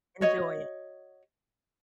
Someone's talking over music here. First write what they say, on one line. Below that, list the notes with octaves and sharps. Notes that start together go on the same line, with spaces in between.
Enjoy it.
F#4 C#5 D#5